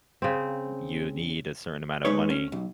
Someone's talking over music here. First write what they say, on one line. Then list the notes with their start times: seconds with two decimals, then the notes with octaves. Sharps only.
you need a certain amount of money.
0.22 C#3 C4
2.05 G#3 D#4 B4 C#5
2.30 C#4
2.52 B1